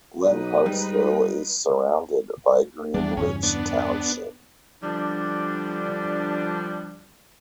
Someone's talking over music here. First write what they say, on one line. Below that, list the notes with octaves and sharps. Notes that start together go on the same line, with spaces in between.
Lenhartsville is surrounded by Greenwich Township.
B1 D#4 B4
G#2 G3
E2 G3 A#3 B3 D4
E2 G2 C#3 C#4
B3 D4
D3 F3 G3 D4